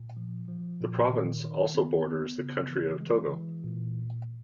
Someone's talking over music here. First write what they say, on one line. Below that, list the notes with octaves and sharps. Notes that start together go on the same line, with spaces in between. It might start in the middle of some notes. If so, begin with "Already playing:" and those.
The province also borders the country of Togo.
Already playing: A#2
F3
F3
A#2
D#3
D#3
B3
B3
C#3
E3
G#3
E3
A#2